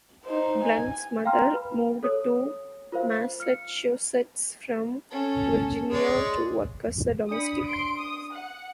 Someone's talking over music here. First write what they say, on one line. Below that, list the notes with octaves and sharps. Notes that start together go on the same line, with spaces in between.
Blunt's mother moved to Massachusetts from Virginia to work as a domestic.
D#4 C5
G#5
F5 G5 A#5 C6 F6
B4 B5
A4 C#5 D#6
F4 A#4 C5 F5
F6 C#7
C#4 A4
G#3 G#4 C#5 D5
D4 D5 B5 D#6 C#7
C6 D7
D#6
F#5